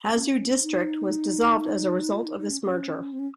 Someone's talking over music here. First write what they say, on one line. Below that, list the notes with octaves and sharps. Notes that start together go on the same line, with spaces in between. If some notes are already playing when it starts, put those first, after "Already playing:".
Hazu District was dissolved as a result of this merger.
C#4
D#4
F4
D#4
D#4
C#4
C#4
C4
C#4